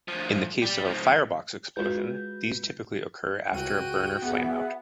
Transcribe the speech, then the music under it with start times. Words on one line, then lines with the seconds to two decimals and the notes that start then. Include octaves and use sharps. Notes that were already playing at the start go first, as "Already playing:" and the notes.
In the case of a firebox explosion, these typically occur after a burner flameout.
0.08 D2 F3
0.62 G3
0.85 G#2 F3
1.76 G#3 F4 F#4 B4 G6
3.52 C#2 F#4 G5 D#7
4.22 B3 G#4 E5 F#5